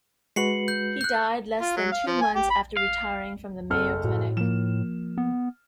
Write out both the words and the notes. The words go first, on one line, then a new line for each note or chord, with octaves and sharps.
He died less than two months after retiring from the Mayo Clinic.
G#3 F#4 B4 C7 C#7 F#7
G6
F#6 G6
F4
F#3
F5
F3
G#5
G4
B5
F5
F#1 C4 A4 F6
A2 F#4
F3 A#3 E7
B3